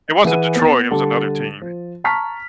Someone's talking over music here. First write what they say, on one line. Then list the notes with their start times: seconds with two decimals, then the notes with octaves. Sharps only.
It wasn't Detroit, it was another team.
0.25 E3 G#4 B4 F#5 D#7
0.56 B3 A6
0.91 D3 G3 A5
1.62 F3
2.04 A5 A#5 C#6 F6 B6